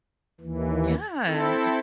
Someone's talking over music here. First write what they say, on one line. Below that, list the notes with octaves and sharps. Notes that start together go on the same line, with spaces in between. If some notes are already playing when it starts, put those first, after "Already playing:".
Yeah, you're
D#2 E3
C4 E4 A4